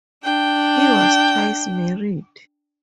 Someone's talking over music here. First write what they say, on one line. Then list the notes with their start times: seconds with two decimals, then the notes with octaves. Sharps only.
He was twice married.
0.23 D4 G5